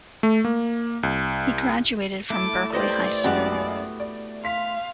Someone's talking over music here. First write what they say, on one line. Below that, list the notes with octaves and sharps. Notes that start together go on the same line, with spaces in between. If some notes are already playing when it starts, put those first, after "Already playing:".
He graduated from Berkeley High School.
A3
A#3
C2
A3 E4 A4 D6
G4 B4 C5 D5 D#5
F#2 G#3 B3 F#4 G4
D5
F5 C6 B6